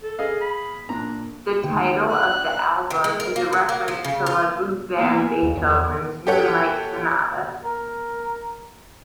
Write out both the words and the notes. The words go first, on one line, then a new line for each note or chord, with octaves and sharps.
The title of the album is a reference to Ludwig van Beethoven's "Moonlight Sonata".
A4
G#4 D#5 F5
B5
A#2 D4 A#5
D#2 G5
D4 F#6
D#3
G#3
A#4
A#3
F#3
A#3
F3
C#3
F4
A#3 B3 E4 F4
G#5
D#2
E2
G4 A4 C#5 F#5
A#4